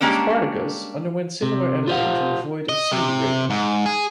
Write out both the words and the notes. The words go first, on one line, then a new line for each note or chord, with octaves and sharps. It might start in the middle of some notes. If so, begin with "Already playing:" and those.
"Spartacus" underwent similar editing to avoid a C rating.
G3 G#3 A#3 C#4 D4
C3
F4 G4 C5 D5 F5 F#5
D#5
C3
G#2
G#4